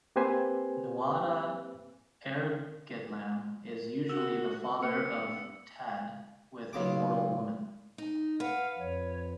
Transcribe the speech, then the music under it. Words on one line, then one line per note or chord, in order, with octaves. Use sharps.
Nuada Airgetlam is usually the father of Tadg with a mortal woman.
A#3 C4 G4 B4 C5 G#5
A#4
F#4 E6
A#3 B3 C#7
G2
B1 C#3 D6
D#4
B4 F5 F#5
F2 C#5